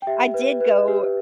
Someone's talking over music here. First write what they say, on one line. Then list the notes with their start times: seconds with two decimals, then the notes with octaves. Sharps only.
I did go
0.02 G5
0.07 G4 E5
0.34 B4
0.61 B4
0.88 G4